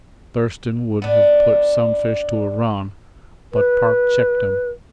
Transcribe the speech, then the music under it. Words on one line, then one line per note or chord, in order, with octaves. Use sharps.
Thurston would have put Sunfish to a run, but Park checked him.
B3 D4
B4